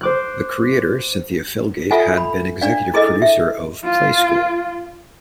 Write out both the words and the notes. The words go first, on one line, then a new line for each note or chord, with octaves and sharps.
The creator Cynthia Felgate had been executive producer of "Play School".
C5 D6 F#6
F4 A4 E5 F#5 G#5
B5
D4 D5 F5
E4 G#4 A4 D#5 E6
E5
F4